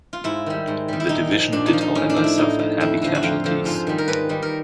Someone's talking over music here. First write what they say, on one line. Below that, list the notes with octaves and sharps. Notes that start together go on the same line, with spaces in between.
The division did however suffer heavy casualties.
F4
G#2 E4
D#3 G3
G#2
D#3 G3
E4
A#2 D#4
F3
A#2 D4
D#4
F3
D#4
A2 C#4
D4
F3
E4
A2 D#4
F3
F2 E4
D3 F3
F#4
F2 F4
D3 F3
G#2 F4
D#3 G3
A#4
G#2 B4
D#3 G3
A#4